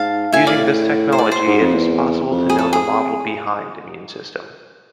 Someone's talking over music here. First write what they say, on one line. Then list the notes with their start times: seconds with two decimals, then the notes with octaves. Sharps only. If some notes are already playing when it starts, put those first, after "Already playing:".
Using this technology it is possible to know the model behind immune system.
Already playing: G#2 F5 A5
0.32 A2 E5 G#5
0.47 D5 F5
1.12 C5
1.18 D5
1.32 C5
1.47 G#2
1.60 F2
1.74 E2
2.31 F2
2.49 G#4
2.59 A4
2.73 G#4